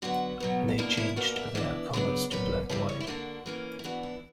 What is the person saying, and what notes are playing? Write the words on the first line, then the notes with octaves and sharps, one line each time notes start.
They changed their colours to black-white.
D3 F#3 B3 F#4
B2 F#3 B3
B2 A#3 D4 E4
E4
B2 A#3 D4 F#4
E5
E3 B3 D4
C#3 F#3 B3 D4
A#2 F#3 C#4 B4
C#3 E3 G3 B4
C#5
E4
D3 A#3 D4 F#4
E3 A#3 C#4
E4
E3 B3 D4 F#4
E4